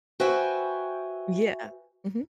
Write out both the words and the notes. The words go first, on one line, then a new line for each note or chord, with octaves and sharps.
Yeah. Mhm.
F#4 B4 C5 E5 G5 G#5